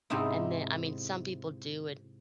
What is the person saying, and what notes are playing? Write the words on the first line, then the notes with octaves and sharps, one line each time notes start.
and then I mean, some people do and,
G#2 C3 C4 D#4 E4